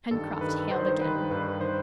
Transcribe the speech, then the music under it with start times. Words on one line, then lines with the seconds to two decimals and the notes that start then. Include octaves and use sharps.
Pencroft hailed again.
0.11 G2 D#3 A4
0.41 G2 D#3 B4
0.71 G2 D#3 C5
0.86 C5
1.01 G2 D#3 B4
1.31 G2 D#3 B4
1.61 D#3 C5